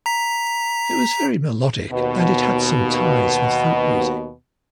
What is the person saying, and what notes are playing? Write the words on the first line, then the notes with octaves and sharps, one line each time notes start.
It was very melodic and it had some ties with folk music.
A#5 B6
D#2 B2